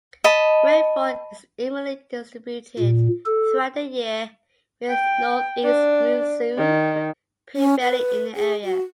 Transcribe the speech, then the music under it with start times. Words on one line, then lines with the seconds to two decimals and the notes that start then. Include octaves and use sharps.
Rainfall is evenly distributed throughout the year with north-east monsoon prevailing in the area.
0.24 D#5 A5 B5
2.79 A#2
3.26 A4
4.90 G5
5.64 D4
6.58 D#3
7.56 C#4
7.82 B4
8.36 G#4
8.64 F#4